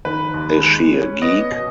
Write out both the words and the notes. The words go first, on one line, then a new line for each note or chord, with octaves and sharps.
Is she a geek?
D#3 B4
D#2
G#3
C#4
B3 D#5
B2